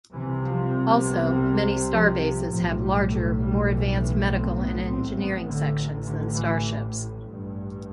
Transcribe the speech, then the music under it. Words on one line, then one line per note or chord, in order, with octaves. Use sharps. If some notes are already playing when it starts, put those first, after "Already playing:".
Also, many starbases have larger, more advanced medical and engineering sections than starships.
C2 C3 E3
F3
B3
G3
G3
F3
B1 A2 F3
G3
A3
G3
E3
E3
C4
B3
A1 A2 C4
B3
D3
D3
E3
A1 G2